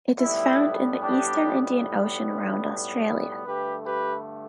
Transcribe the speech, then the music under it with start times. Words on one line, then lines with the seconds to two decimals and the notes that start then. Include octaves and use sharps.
It is found in the eastern Indian Ocean around Australia.
0.20 B1 A2 G3 B3 E4
1.01 D4 G4
3.45 G2 D3 A3 G4 B4
3.86 G4 B4